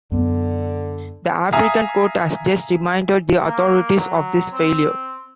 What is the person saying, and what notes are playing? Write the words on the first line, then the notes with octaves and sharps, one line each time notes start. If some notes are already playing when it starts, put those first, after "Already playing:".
The African Court has just reminded the authorities of this failure.
F#2 D3 B3
E5 F5 G#5 A#5 D#6
A#3
F#3
C4